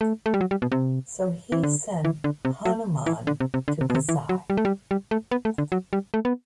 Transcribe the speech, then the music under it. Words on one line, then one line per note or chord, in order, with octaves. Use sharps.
So he sent Hanuman to Kasi.
A3
A3
G3
F#3
G3
B2
C3
E3
D3
E3
D3
C3
F#3
E3
D3
C3
C3
D3
C3
B2
C3
E3
F#3
G3
A3
G3
G3
A3
B3
A3
D3
F#3
G3
A3
B3